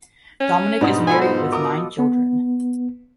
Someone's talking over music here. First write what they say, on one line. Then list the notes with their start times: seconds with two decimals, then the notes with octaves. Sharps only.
Dominic is married with nine children.
0.40 C#4
0.81 G#2 B2 D4 D#6
1.07 B3 F4 A4 G#5
1.21 C5
1.52 A#4 D6 D#6
1.99 B3